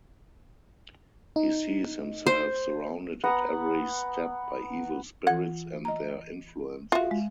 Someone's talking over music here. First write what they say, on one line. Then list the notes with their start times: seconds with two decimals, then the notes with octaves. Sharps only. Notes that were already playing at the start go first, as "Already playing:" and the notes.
He sees himself surrounded at every step by evil spirits and their influences.
1.36 D#4
2.27 C5
3.24 B3 F#5 A#5
5.27 E3 F4 F#5 G#6
5.85 D#5 A#5
6.92 F4 F#4 E5 F5
7.11 G#3